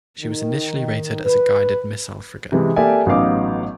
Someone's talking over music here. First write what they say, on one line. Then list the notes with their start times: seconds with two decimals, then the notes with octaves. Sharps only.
She was initially rated as a guided missile frigate.
0.21 D#3
1.24 B4
2.52 C3 E3 G#3
2.76 A#3 G4 A4 D5 E5 G#5
3.06 A1 F#3 B3 D#4 F5 D6